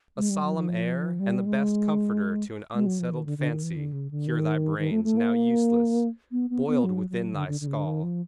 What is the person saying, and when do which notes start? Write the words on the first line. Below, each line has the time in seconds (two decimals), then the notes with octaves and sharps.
A solemn air, and the best comforter To an unsettled fancy, cure thy brains Now useless, boiled within thy skull.
0.17 G#3
0.30 G3
0.43 F#3
0.55 F3
1.19 G3
1.45 G#3
2.74 G#3
2.86 F#3
2.99 F3
3.12 D#3
3.25 D3
3.38 D3
3.50 D#3
3.63 E3
3.76 D3
3.93 C#3
4.11 D3
4.27 D#3
4.78 D#3
4.91 A3
5.04 A3
5.17 A#3
6.32 B3
6.50 B3
6.67 B3
6.84 F#3
7.10 F#3
7.34 D3
7.48 D3
7.60 D3
7.67 C#3
7.74 D3
7.85 D#3
8.03 F3